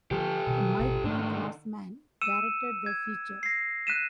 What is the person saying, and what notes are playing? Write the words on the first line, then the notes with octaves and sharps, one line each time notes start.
Michael Grossman directed the feature.
D3 F3 G4 A4
B2 D#3
G#1 B2
G#2 D3 D#3 A3
E6 C#7 D#7 E7
G#6
A#6 C7
F#6 B6 D#7 E7